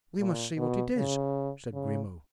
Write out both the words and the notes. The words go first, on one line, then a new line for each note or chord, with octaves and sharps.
"We must see what it is," said Grimaud.
A#2
B2
C#3
C#3